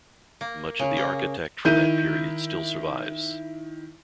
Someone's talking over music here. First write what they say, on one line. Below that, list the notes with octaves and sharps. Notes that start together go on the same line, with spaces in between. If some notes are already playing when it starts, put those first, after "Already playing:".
Much of the architect from that period still survives.
A#3
C#3
A#3
D#3 E4 G6 D#7